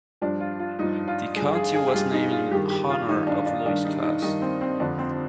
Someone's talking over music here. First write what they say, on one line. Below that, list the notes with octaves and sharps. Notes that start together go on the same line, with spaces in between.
The county was named in honor of Lewis Cass.
G2 F3 D4
F4
F4
G2 F3 D#4
F4
G2 F3 G#4
G#4
G#4
G4
G2 F3 F4
D#4
F4
G2 D#3 G4
G4
F4
G2 D#3 D#4
D4
D4
G2 D#3 D4
D#4
D#4
G2 D#3 D#4
C4
C4
F2 D3 F3 D4
C4